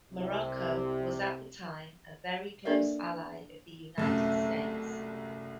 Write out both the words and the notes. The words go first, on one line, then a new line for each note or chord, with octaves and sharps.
Morocco was at the time a very close ally of the United States.
C2 C3
A#3 D4 A4 A#4 D5 E5
F#1 C2 F#2 A3